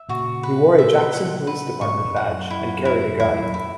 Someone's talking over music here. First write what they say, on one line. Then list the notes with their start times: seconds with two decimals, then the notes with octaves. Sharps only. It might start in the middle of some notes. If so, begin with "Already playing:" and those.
He wore a Jackson Police Department badge and carried a gun.
Already playing: E5
0.09 A#2 C#3 F#4
0.43 B4
0.79 E5
1.13 F#5
1.47 B4
1.81 G#2 B2 C#6
2.04 F#2 A#2
2.16 F#5
2.27 F#2
2.50 E4
2.85 E4
3.20 E2 G#2 E4
3.36 F#2 A#2
3.54 E4